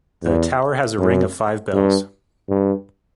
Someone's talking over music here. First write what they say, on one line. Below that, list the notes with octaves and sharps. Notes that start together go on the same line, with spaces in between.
The tower has a ring of five bells.
E2
F#2
G2
G2